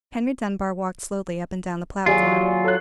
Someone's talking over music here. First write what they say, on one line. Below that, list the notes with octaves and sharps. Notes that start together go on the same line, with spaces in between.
Henry Dunbar walked slowly up and down the platform.
D#2 F#3 F4 G#4 D5
A4 C#5 F#6